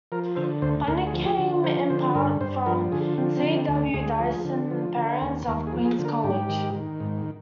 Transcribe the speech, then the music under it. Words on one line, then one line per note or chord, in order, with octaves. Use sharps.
Funding came in part from C. W. Dyson Perrins of Queen's College.
F3 A#4
D3 C5
D2 C5
D2 A#4
G#4
F3
G#4
D3
F3 C5
D3 C5
G2 A#4
G2 C5
F3 A#4
D3 G#4
F3 C4
C4
D3
C4
D2
D4
D2 G#4
F3
D3
F3
D3
D#2
D#2 A#4
G#4
F3
G#4
D3
A#4
G#2 G4
D#3
D#3
G#2